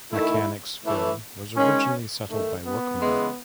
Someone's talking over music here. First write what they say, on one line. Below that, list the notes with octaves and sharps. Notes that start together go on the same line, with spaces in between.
Mechanicsville was originally settled by workmen.
D#3 A3 E4
A2 E3 A3
D#3 G#3 C#4
D#3 A3
B3
C#3 E3 G#3